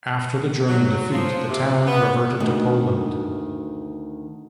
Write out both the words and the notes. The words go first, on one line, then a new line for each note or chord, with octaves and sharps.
After the German defeat, the town reverted to Poland.
F#3
F3
C3
B3
D2 D#3